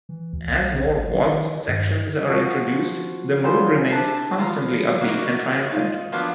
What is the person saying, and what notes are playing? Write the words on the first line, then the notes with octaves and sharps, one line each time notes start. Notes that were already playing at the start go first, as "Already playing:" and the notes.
As more waltz sections are introduced, the mood remains constantly upbeat and triumphant.
E3
D2
B1
G#1
D#3
G2
F3 F#4
F#3 G3 F4 G#4 C5
D4 E4 A5
E3 F3 A5 A#5
F#3 A#3 D#4 E4 F#4
D#4 F4
F3 F#3 A#3 B3 D4